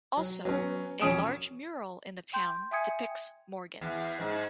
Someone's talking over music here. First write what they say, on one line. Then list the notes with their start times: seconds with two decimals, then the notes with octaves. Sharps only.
Also, a large mural in the town depicts Morgan.
0.17 F#3
0.45 F#3 B3 C#4
1.01 E1 F2 C#4 D#6 D7 E7
2.33 G5 C6 G6
2.71 E5 G5 G#5 D#6 G#6 C#7
3.81 E2
4.20 G#2